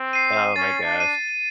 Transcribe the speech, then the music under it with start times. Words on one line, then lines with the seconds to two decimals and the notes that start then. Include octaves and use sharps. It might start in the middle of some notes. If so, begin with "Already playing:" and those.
Oh my gosh.
Already playing: C4
0.13 C7 D#7
0.55 C#4 A6
0.84 D4
0.97 C7 D#7